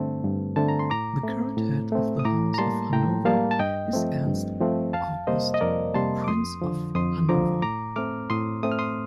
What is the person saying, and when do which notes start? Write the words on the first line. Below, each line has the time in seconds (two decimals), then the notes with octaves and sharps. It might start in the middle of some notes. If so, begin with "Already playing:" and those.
The current head of the House of Hanover is Ernst August, Prince of Hanover.
Already playing: G2 D3 A3 C4 A5
0.24 G2
0.56 D3 A3 C4 A5
0.68 A#5
0.79 C6
0.90 A2 A#5 D6
1.24 A3
1.29 C4
1.57 A2
1.92 A3 C4
2.19 D#6
2.25 A2 A#5 D6
2.54 A#5
2.58 G3 A#3 A5 C6
2.92 A2 G5 A#5
3.25 G3 A#3 F5 A5
3.51 A5
3.59 G2 D#5 G5
3.93 F3 A3 C4
4.26 G2
4.60 F3 A3 C4
4.93 F2 F5 A5
5.27 C3 G3 A#3 C5 D#5
5.54 D#5
5.61 F2 A#4 D5
5.94 C3 G3 A#3 A5 C6
6.24 D6
6.28 F2 C6 D#6
6.62 D3 F3
6.95 F2 C6 D#6
7.29 D3 F3 A#5 D6
7.62 A2 A#5 D6
7.96 A3 C4 D6 F6
8.30 A2 C6 D#6
8.63 A3 C4 D#6
8.72 F6
8.79 C6 D#6